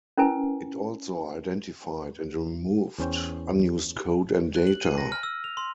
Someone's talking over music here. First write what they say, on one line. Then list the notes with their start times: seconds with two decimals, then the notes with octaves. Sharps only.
It also identified and removed unused code and data.
0.18 C#4 E4 A#4 B4 G#5
2.98 E2 C#4 C5 G5
4.55 F#6
4.67 F#7
4.80 D#7
4.98 A#6
5.12 F6
5.23 E6
5.44 F7
5.57 C6